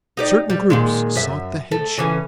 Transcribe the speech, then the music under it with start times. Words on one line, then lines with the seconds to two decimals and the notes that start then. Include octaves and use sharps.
Certain groups sought the headship.
0.17 D#4 G4 D5
0.50 G3
0.70 A#2 D#3 G#3
1.15 F#2 E5
1.71 A3
1.98 C#3 E3 C#4